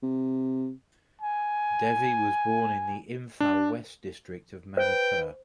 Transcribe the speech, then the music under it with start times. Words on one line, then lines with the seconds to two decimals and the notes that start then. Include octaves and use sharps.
Devi was born in the Imphal West district of Manipur.
0.03 C3
1.22 G#5
3.40 D4
4.77 B4 C5 G5